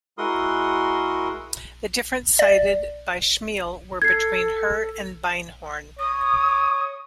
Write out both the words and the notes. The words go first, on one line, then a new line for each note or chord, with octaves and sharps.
The differences cited by Schemel were between her and Beinhorn.
G#3 E4 F#4 A#4 C6 D#6
D5
A4 G#6 C7
C#5 D#6